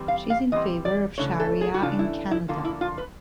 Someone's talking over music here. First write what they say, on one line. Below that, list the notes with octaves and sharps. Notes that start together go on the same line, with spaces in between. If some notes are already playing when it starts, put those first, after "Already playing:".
She is in favor of Sharia in Canada.
Already playing: E3 G3 C4
F5
F5
E3 G3 C4 D#5
D5
C#3 E3 A3 D4 C#5
A4
G#4
F#4
C#3 E3 A3 D4 F4
E4
E4
D3 F3 A#3 F4
E4
F4
B4